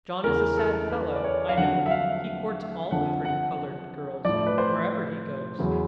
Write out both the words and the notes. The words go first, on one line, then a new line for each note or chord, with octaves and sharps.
John is a sad fellow, I know; he courts all the pretty colored girls wherever he goes.
E2 C#3 E3 A#4
A4
B4
D5
C#5
F5
F2 D3 F#3 F#5
E5
F5
F2 D3 F3 F#5
F#5
A2 F3 D5
B4
C5
E2 C#3 F#3